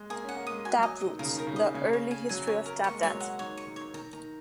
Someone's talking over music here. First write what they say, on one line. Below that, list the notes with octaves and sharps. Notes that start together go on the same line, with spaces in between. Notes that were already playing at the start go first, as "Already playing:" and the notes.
Tap Roots: The Early History of Tap Dancing.
Already playing: G#3
A#3 G#4
C#4
F#5
A#3
G#3 D#6
F#4 G#5
F#3
D#5
D#3 D#5
C#3 A#4
D#3 A#4
C#3
D#5
C#3 G#5
C#5
G#5
F#3 G#5
C#4 C#5
A#4
A#3 C#6
G#3
F#3 C#5
G#3
F#5
D#3 C#5
C#6
D#3
C#5
D#3 A#5
D#3 A#5